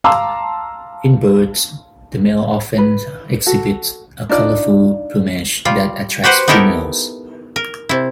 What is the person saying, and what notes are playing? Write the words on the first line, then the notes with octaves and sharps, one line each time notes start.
In birds, the male often exhibits a colorful plumage that attracts females.
F5 A5 A#5 C6 D6 E6
B4
F#4 A4
D4 D#4 F4 D5
G3 F4
F#4 G4 B4 C5 F#5
B3 D#4 E4 G4 A4 A#4
A#4
C3 E4